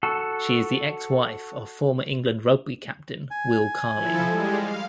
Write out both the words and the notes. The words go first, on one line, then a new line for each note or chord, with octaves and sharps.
She is the ex-wife of former England rugby captain Will Carling.
F#4 A4
G#5
F3 E4 A4
G3 G#3
F5